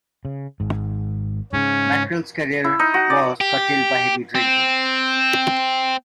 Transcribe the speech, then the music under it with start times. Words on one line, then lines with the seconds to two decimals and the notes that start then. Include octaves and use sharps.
Mackerell's career was curtailed by heavy drinking.
0.25 C#3
0.60 G#1 G#2
1.53 G#2 C#3 C#4
2.64 E4
2.79 D#4
2.94 F#4
3.10 D5
3.41 G4
4.35 C4